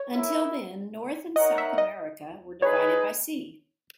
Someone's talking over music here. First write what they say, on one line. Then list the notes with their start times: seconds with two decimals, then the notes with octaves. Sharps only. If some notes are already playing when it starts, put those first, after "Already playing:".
Until then North and South America were divided by sea.
Already playing: C#5
0.11 E4 A#4 E5
1.36 D#4 A#4 C#5 D#5 F#5
1.58 E5
1.78 D#5
2.62 D#4 G#4 B4 C#5